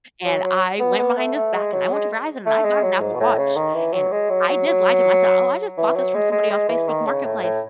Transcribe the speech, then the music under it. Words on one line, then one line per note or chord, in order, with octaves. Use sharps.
and I went behind his back and I went to Verizon and I got an Apple Watch, and I did lie to him. I said, "Oh, I just bought this from somebody off Facebook Marketplace."
F#3
F#3
B3
B3
A3
A3
G#3
F#3
G#3
A3
G#3
F#3
G#2
B2
A2
C#3
D#3
E3
F#3
G#3
F#3
F#3
F#3
E3
F#3
G#3
G#3
G#3
E3
D#3
C#3
A2
A2